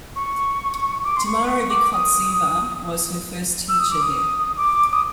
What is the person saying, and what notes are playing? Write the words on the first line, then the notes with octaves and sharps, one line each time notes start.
Tamara Vykhodtseva was her first teacher there.
C#6
D6
C6
C#6
C#6
D6
D#6
E6
D#6
D6
D#6
D6
D#6